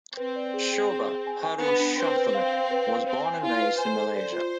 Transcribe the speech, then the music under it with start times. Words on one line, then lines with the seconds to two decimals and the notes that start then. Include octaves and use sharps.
Shoba Purushothaman was born and raised in Malaysia.
0.17 C4 B4
0.36 D5
0.54 G#4
0.73 G#4
0.90 G#4
1.09 G#4
1.27 G#5
1.44 G#5
1.62 B3 D4
1.80 D4
1.98 C4 B4
2.16 B4
2.35 F5
2.53 F5
2.71 B4
2.89 F5
3.06 C4 C5
3.25 G#5
3.43 E4 F4
3.61 B4
3.78 C5 G#5
3.96 A4
4.15 C5 D5
4.32 F4